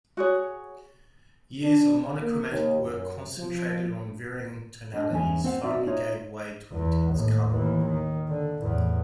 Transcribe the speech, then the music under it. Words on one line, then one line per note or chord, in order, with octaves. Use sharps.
Years of monochromatic work concentrated on varying tonalities finally gave way to intense color.
F#4 G#4 C#5
D4
A#3
D#2
F#2
F3
D4 D#5
E2 C#4 G#5
C4 F#5
D#4 F#4 D5 E5
D#4 F4 C#5
E2
D#2 A2
D#2 E3
D#3
D3
E2 A2